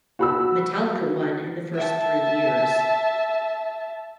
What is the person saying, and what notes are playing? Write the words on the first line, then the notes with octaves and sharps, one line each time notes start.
Metallica won in the first three years.
F#4 B5 E6
E5 A5